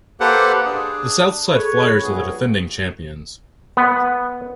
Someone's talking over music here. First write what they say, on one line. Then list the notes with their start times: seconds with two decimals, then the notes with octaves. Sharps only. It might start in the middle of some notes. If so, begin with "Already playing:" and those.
The Southside Flyers are the defending champions.
0.20 A#3 G4 A4 B4 C5 F#5
0.65 D4 G#4
1.48 G#4 A4 B4 C#5
2.02 A#1 G2 F#4 G#4
3.77 B3